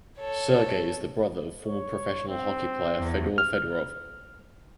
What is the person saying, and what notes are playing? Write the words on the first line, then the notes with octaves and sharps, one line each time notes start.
Sergei is the brother of former professional hockey player Fedor Fedorov.
A4 C#5
C#5
C4
E2
F6